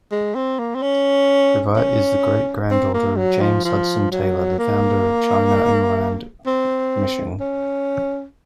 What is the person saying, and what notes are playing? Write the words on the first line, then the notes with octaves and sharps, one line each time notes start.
Previte is the great-granddaughter of James Hudson Taylor, the founder of China Inland Mission.
G#3
C4
A#3
C4
C#4
C#4
C4
A#3
F#3
F3
F3
F#3
A#3
C4
C#4